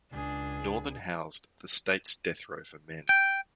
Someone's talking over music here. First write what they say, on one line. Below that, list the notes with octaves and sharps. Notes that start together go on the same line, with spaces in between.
Northern housed the state's death row for men.
C#2 D4 G#4
G5